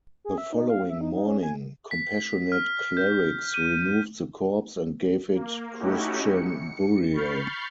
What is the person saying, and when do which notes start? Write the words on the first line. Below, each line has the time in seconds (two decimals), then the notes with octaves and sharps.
The following morning compassionate clerics removed the corpse and gave it Christian burial.
0.25 G#4
0.38 E5
0.53 D#4
0.70 F5
0.90 E5
1.01 D#4
1.14 D#4
1.27 C#4
1.43 G#5
1.91 B6
2.52 F6
2.97 G6
3.54 D#7
5.35 A#3
5.79 A3 C#4 D#4 E4 F#4 G4
6.33 C#7
7.13 B5 C#6 F6 G6 A6 C7